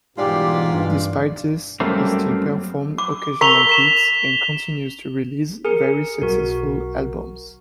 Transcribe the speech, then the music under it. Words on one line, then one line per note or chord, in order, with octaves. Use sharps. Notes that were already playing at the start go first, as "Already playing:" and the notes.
Despite this, he still performed occasional gigs and continues to release very successful albums.
C2 G#2 B2 E3 F4 G4 D5
G2
F#2 G3 A3 A#3 C4
D6
A#4 A#5 C#6 B6 F7 G7
B6 E7
G#4 A#4 C#7
B1 F#4 A#4